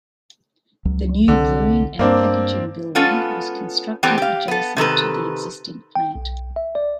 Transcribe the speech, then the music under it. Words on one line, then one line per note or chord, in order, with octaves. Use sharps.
The new brewing and packaging building was constructed adjacent to the existing plant.
C#2 F#3
C2 D3 C4
G2 A#3 C4 D4
G#3 B3 C#4 F4 A4
E3 G3 B3 C4 G4 A4
G4 F5
B3 A4
C3 D#3 A4 B4
G5
B1
E5
D5